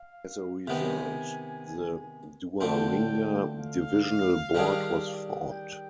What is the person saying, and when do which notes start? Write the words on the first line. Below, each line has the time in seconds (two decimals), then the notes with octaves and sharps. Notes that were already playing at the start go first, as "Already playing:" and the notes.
As a result, the Duaringa Divisional Board was formed.
Already playing: F5
0.68 C3 D#3 B3 G#5
2.61 D2 D3 F3 C4 G5
3.58 F5
4.55 D#3 G3 D4 G#4
5.51 G5